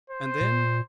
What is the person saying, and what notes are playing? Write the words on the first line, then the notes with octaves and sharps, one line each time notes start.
"And then?"
C5
A#2